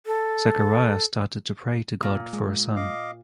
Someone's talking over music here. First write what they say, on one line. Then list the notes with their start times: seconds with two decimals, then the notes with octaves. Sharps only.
Zechariah started to pray to God for a son.
0.06 A4
2.03 A#2
2.33 G#3
2.76 D#5 F5 D6